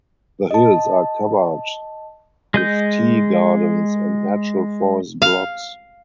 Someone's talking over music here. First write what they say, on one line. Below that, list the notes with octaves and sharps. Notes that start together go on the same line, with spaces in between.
The hills are covered with tea gardens and natural forest blocks.
D#5 A5
G#3 D#5 G6
F5